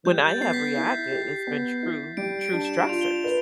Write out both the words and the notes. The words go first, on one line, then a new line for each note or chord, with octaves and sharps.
When I have reacted, it's been true true stressors
G3 G6
G6
A6
B3 C7
B6
E4 C7
G4
B3
E4
G3 D7
D7
D4
E7
F4 F7
G7
F7
B4